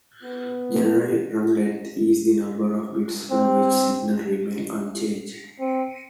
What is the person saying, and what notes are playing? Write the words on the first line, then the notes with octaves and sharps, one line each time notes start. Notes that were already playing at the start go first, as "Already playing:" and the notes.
Generally "run-length" is the number of bits for which signal remains unchanged.
B3
C4
C4